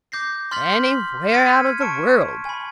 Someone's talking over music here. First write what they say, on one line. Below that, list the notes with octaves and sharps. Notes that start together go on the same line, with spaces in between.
"Anywhere out of the world."
D6 G6 A#6 C7
C6 F6 G6 A6 B6 F#7
F6 G#6 A6 B6 C#7 D#7
A5 C#6 C#7 D7
G#5 B5